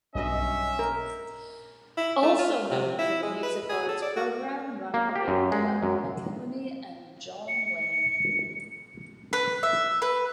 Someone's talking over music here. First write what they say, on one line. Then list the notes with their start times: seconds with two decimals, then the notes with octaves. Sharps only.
Also known for the music arts program run by Doug McElhaney and John Wenning.
0.15 B1 G2 C#4 D#5 E5
0.79 A#4
1.97 E4
2.23 A3
2.39 F4
2.71 C3
2.99 E4
3.23 G#3
3.43 B4
3.70 G#4
3.89 A4
4.02 D5
4.16 F#4
4.94 A#3
5.15 G4
5.28 F#2
5.52 G#3
5.83 F#2
7.48 C#7
9.33 B4
9.63 E5
10.02 B4